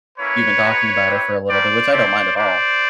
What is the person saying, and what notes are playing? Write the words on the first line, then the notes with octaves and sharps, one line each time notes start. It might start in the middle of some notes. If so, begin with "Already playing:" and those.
you've been talking about it for a little bit, which I don't mind at all.
A#3 C#4 E4 B4 C#5
G#3 B3 D#4 F#4
C4 E4 G4
G3 A#3 D4 G4 C5 D5
A3 C4 E4 G4 C5 D5
G3 A#3 D4 G4 C5 D5